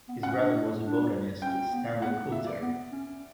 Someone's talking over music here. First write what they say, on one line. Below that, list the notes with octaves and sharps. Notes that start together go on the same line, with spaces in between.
His brother was the botanist Stanley Coulter.
B3
C#4 F#5
D4
D4
C#4 G5
B3
B3 F#5
A#3 E5
D5
B3
C#4
C#4